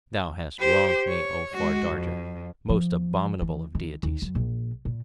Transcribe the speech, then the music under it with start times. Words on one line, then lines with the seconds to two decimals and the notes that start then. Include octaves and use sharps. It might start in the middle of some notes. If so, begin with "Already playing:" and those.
'Thou hast wronged me, O far-darter, most abominable of deities.
0.59 G4 C5
1.08 C#5
1.53 G#3 F#4
1.90 F2
2.69 F3
3.41 E3
3.75 D#3
4.03 D#2
4.22 F#2
4.35 A#1
4.85 A#2